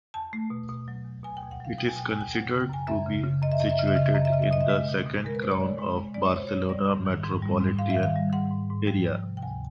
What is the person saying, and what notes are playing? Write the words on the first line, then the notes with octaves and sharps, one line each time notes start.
It is considered to be situated in the second crown of Barcelona metropolitan area.
E2 A5
A3
B2
B2
F#3
E2
B2 G#5
G5
B2
F#5
F#3 F5
B2 G5
G#5
B2 G5
G#5
B2
G5
F#2 F#5
C#3
G5
F#2 G#5
F#2 E5
C#3
C#3
F#2 D#5
E5
F#2 D#5
E5
C#3 D#5
E5
C#3 D#5
E5
F#2 D#5
E5
C#3 D#5
E5
B2 D#5
E5
G#3 D#5
B2
B2
G#3 A#4
B4
G#3 C5
C#5
G#3 D5
G#3
G#3
G#3 D5
C#5
B2 C5
B2 C#5
G3 D5
G#2
D#3
G#2
G3
G#2
G#2 F5
E5
D#3
F5
G3
G#2 F#5
G#2
G#2
F3 G5
F3
C3
G5
D2 G#5